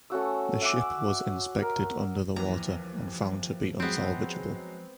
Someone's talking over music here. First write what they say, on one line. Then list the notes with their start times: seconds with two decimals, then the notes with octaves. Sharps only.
The ship was inspected under the water and found to be unsalvageable.
0.10 A3 C#4 F#4 E6
0.62 E5 F#5 G#5 D6
1.62 A#4
2.36 D#2 E3 F3 A#5
3.80 F#3 G#3 B3 C4